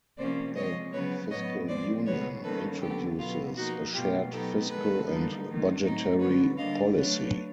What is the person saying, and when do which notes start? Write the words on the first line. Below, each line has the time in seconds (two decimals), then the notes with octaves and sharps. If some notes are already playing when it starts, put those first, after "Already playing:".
A "fiscal union" introduces a shared fiscal and budgetary policy.
0.18 C3 F3 A#3 C#4 C5 D5
0.55 F3 G#3 C4 C#5 D#5
0.93 C#3 F#3 B3 B4 C#5
1.30 A2 F#3 B3 C#5 D#5
1.68 F3 G#3 C4 C5 D5
2.06 B2 G#3 B3 B4 C#5
2.43 D#3 G3 A#3 C#4 A4 B4
2.81 D3 F#3 B3 G4 A4
3.19 B2 F#3 B3 F4
3.57 F3 A#3 D#4 F#4
3.94 B2 F#3 A3 F4 G4
4.32 F#3 B3 D#4 G4 A4
4.69 D#3 G#3 B3 A4 B4
5.07 D3 G3 A#3 D#4
5.45 D#3 F#3 A3
5.83 A2 F#3 A3 C4 D#4
6.20 D3 G3 B3 B4 C#5
6.58 D3 G3 A#3 D4 D#5 F5
6.95 F#3 A3 D4 B4 C#5